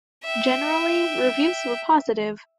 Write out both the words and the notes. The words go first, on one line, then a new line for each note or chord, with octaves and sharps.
Generally, reviews were positive.
E5 G5